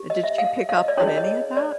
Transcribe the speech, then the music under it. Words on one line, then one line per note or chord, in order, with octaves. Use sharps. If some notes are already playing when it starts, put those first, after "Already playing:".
Did she pick up on any of that
Already playing: G4
D#5
E5
F5
F5
D#5
D5
C#4 E4 G#4 C#5
D#5
D#5
D5